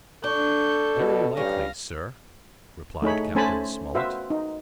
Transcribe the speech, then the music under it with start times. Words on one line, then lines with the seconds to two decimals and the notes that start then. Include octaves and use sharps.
"Very likely, sir," replied Captain Smollett.
0.24 D4 A4 C#6 G6
0.96 B2
1.37 G2 C#4 F5 A#6
3.02 A3 D#4 G#4 C#5 B5
3.35 A3 C#4 C5 G#5 A5 B5
3.95 F#4 B4 C5 E5 F5
4.30 D#4